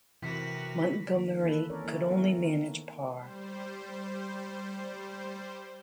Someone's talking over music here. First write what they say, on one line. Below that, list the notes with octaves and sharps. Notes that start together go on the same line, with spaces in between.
Montgomerie could only manage par.
C3 E3 F#4 A#4 B4 B6
D#3 A#3
E3 A#3 A4 B4
C4 C#4 A4 A#4 C#5 D5
A#3 E4
B3 A#4
D#3
G3 C5